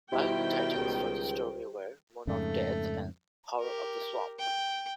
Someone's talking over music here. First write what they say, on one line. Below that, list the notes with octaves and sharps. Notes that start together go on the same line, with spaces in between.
Early titles for the story were "Moon of Death" and "Horror of the Swamp".
B2 D#3 G3 E4 G4 C5 G5
C#2
F2 G#2 C#3 A3
G4 A#4
G5